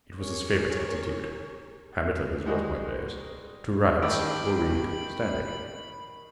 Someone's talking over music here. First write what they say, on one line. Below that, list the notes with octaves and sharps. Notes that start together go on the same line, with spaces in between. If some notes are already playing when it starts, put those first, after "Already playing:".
It was his favorite attitude--habit of his West Point days--to write or read standing.
C#4 G4 G#4 A#4 C#5
G3 G#3 D#4 F#4 G#4
A1 D#3 G4 D5 B5 E6